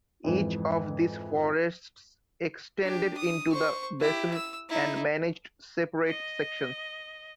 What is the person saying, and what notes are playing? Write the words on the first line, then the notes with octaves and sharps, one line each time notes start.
Each of these forests extended into the basin and managed separate sections.
F2 G#2 E3
D4 G4
D#6
C5 C#6
E4 G4
E6
D#4 E4
D#5